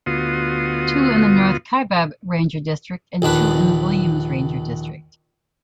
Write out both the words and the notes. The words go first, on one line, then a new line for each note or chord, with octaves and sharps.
Two in the North Kaibab Ranger District and two in the Williams Ranger District.
D2 B3 F4 F#4 C6 D#6
A#1 D#2 D4 B4